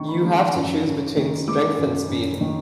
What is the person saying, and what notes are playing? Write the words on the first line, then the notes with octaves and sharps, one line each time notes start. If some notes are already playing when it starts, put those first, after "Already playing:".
You have to choose between strength and speed.
Already playing: D#3 C#6
B5
G#3
C6
F#2
F#2
D#3
G#3 D6
F#2
F#2
D#3